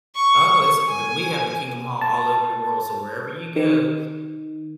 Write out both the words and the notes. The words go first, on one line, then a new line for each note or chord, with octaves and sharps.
Oh, it's the we have a Kingdom Hall all over the world, so wherever you go,
C#6
G#5
A5
D#3